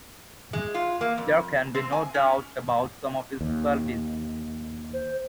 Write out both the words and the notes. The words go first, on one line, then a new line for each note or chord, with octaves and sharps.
There can be no doubt about some of his qualities.
G#3
F4
A#3
F2
C4
G#5
C#4
D#2
C5